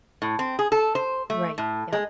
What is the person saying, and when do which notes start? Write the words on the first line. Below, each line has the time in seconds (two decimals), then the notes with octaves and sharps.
Right, yup,
0.22 A2
0.39 C4
0.59 G#4
0.72 A4
0.95 C5
1.30 A3
1.58 A2
1.93 G#3